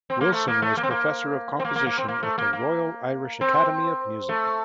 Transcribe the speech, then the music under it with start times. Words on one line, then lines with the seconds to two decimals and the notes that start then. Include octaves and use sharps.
Wilson was professor of composition at the Royal Irish Academy of Music.
0.10 C4
0.21 A#3
0.32 A3
0.48 A#3
0.62 A3
0.77 A#3
0.83 C4
0.91 A#3
1.60 C4
1.65 A#3
1.76 A#3
1.86 A#3
1.98 C4
2.08 A#3
2.23 A3
2.38 A#3
2.53 A#3
3.41 C4
4.29 A3